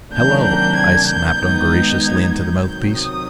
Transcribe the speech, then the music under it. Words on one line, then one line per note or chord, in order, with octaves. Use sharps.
"Hello!" I snapped ungraciously into the mouthpiece.
C3 D#3 F#3 A#3 D4 G6
G6
G#6
G6
D#3 G#3 B3 D#4
G#6
G6
C3 D#3 F#3
D#6